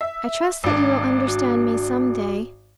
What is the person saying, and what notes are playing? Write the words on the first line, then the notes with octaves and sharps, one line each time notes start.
I trust that you will understand me some day.
E5
G#1 D4
F#4